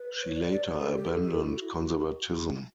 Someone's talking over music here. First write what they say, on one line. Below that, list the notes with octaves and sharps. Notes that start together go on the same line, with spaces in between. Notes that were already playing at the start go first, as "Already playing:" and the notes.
She later abandoned conservatism.
Already playing: B4
C#5
D5
D5
C#5
A4
G4
G4
A4
A4
E4
F#4